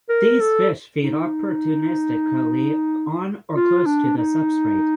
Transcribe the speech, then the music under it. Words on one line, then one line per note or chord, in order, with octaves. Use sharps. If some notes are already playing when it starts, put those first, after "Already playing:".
These fish feed opportunistically on or close to the substrate.
A#4
A4
D#4
F4
D4
D#4